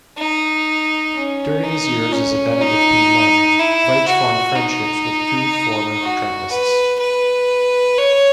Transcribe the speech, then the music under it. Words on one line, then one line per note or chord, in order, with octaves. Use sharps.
During his years as a Benedictine monk, Veitch formed friendships with two former Trappists.
D#4
C#4
D#4
C#4
D#4
E4
F#4
D#4
F#4
B4
B4
C#5